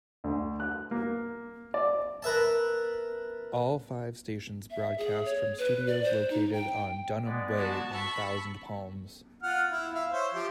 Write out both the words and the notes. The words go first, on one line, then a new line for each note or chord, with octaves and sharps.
All five stations broadcast from studios located on Dunham Way in Thousand Palms.
D2
F#6
A#3
D5
A#4 B4 E5 A5
E5
G#4
C#5
B4
D5
C5
D#4
G5
G#3 B3 D5
F#4 A5
B5 C#6 E6
F4 F#5 F6
E4
E5 F5
C5 C#5 E5
F3 G4 C5